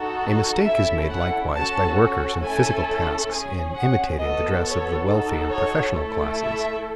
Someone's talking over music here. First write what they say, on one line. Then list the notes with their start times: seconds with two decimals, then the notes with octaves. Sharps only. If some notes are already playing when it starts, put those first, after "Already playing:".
A mistake is made likewise by workers in physical tasks in imitating the dress of the wealthy and professional classes.
Already playing: D#4 F#4 A4
0.65 C#4 E4 A4 E5
1.09 F#5
1.53 C#4 F#4 A4 A5
2.43 A3 C#4 E4 A4 G#5
3.30 C#4 G#4 G#5
3.74 F#5
4.19 B3 F#4 A4 D#5
4.63 C#5
5.07 D#4 F#4 A4
5.51 C#5
5.95 A3 E4 A4
6.40 E5